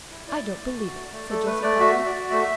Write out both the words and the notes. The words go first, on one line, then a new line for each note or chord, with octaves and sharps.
"I don't believe it," said Josie flatly.
E4
E4 D5
E4
A3
F#4
A3
A3
A3 A4
A3 B4
A3 D5
F#4 E5
F#4
D5
F#4
A3 E5